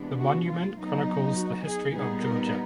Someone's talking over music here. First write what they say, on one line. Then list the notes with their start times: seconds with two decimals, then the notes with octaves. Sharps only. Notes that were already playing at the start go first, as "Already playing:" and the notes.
The monument chronicles the history of Georgia.
Already playing: C3 E3 G#3 B3 D4
0.18 F#4
0.46 F4
0.76 F#3 B3 D#4
1.34 F#4
1.63 G#4
1.92 A#2 G3 B3 D#4 G#4
2.21 A#4